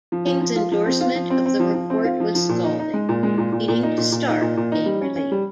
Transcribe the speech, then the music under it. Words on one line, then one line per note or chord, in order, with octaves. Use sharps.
King's endorsement of the report was scalding, leading to Stark being relieved.
F3
F3
F3
F4
F3
C4
F4
F3
C4
C4
F3
F3
C4
F4
F3
F3
A#2
D#4
D#4
G#3
A#2
G#3
A#2
A#2
A#2
D#4
A#2
A#2
D#4
A#2
A#2
D#4
G3
C#4
C#4
G3